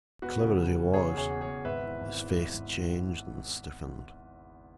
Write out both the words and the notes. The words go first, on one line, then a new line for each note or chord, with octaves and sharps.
Clever as he was, his face changed and stiffened.
E1 F#4 B4
C#3
E1
E1
C#3 G#4 C#5
E2
G#4 C#5
E2
G#4 C#5
E2
G#1 B4 E5
E3
G#1
E3
G#1
G#1